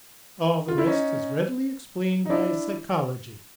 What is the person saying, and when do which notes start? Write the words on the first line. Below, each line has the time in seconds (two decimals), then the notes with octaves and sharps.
All the rest is readily explained by psychology.
0.68 F4
0.78 E4
0.87 C#4 D#4
2.26 D#4
2.29 D4 E4